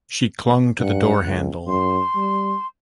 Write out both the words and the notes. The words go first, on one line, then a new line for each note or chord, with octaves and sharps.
She clung to the door-handle.
G2 F#5 F#6
C#2
F#2 C6
G3